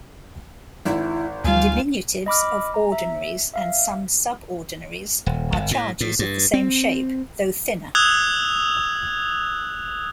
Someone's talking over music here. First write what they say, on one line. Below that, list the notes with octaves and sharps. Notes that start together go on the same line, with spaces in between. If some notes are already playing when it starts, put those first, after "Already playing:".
Diminutives of ordinaries and some subordinaries are charges of the same shape, though thinner.
G#1 E4
D2 G3 F4 F5 G#5
D#5 B5 D6 F6
A#5
E5
E5 F5
D#1
G1
A2
A2
G2
C4
D#6 E6 F#6 G#6 F7